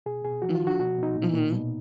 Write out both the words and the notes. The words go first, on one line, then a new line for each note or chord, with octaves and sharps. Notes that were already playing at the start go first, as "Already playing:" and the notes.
Mhm. Mhm.
B2 G#4
B2 G#4
F3 F#4
F4
F3
F#4
B2 F#4
B2 D#4
A#2
A#2
B2